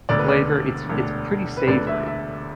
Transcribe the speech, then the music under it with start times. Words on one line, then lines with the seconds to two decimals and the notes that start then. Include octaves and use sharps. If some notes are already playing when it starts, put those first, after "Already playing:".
flavor. It’s it’s pretty savory,
0.09 E1 D2 D3 D5
0.18 B4
0.28 D5
0.89 E1 D2 D3
1.57 B4
1.67 E1 D2 D3 D5
1.87 E5
2.07 E5